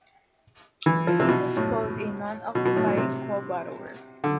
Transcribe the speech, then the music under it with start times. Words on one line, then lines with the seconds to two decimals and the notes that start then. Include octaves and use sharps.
This is called a Non-Occupying Co-Borrower.
0.86 E3
1.07 F3
1.20 C3
1.28 B2
1.57 A2
2.55 B2
2.65 B2
2.76 A2
2.87 A2
2.97 C3
4.24 D3